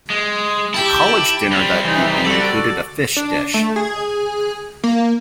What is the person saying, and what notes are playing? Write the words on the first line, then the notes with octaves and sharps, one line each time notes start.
The college dinner that evening included a fish dish.
G#3
E4 G4 G5 A5
G3 C4
E3 D#4
F#4 A4 D5
D4
A3
G#4
A#3